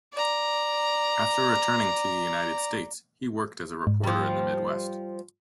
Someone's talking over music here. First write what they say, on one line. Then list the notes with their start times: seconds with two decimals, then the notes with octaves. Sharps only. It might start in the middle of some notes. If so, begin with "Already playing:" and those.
After returning to the United States, he worked as a reporter in the Midwest.
0.13 D5 A#5
3.87 G#2
4.03 F3 G3